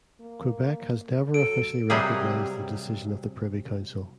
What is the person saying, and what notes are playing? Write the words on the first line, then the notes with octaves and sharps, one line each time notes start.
Quebec has never officially recognised the decision of the Privy Council.
A#3
F#3 A4 D7
C3 F#3 G3 A#3 G#4